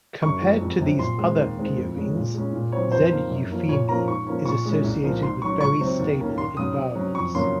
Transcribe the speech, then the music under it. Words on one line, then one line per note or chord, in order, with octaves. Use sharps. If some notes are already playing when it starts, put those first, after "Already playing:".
Compared to these other pierines, "Z. eupheme" is associated with very stable environments.
F#2 C#6
F3 G#3
F2
C3 F#3
A#2 C6
G#3 C4
D#2
D#3 G#3 C4
F2
C#3 G#3 C#4
A#2
G#3 C#4
A#2
F#3 C4 C#5
F2 C5
D#3 A#3
F#2
F3 A#3 C#4
A#2 C#5
F3 A#3 C#4 A#5
G#2 C#6
F3 A#3 C#4
A#2 C#6
G#3 C#4
C2
A#2 F3 A#3
G#2 C6
D#3 F#3 C#4 C#6
C#2 C#6
C3 F#3 C4
D#2
D#3 A#3 C#4
D#2 C6
C#3 F#3 D#6
C3
F#3 C#4
F2 C#6
C#3 F#3 A#3 C#4 C6